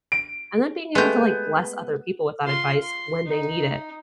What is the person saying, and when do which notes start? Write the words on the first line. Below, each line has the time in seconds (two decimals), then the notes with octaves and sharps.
and then being able to, like, bless other people with that advice when they need it.
0.12 D7
0.95 G#3 A3 B3 G4 G6
2.44 F4 C6
2.82 C6
3.26 D#4